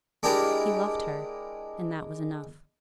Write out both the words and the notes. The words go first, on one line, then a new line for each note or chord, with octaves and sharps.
He loved her, and that was enough.
G#3 D4 E4 G4 A#4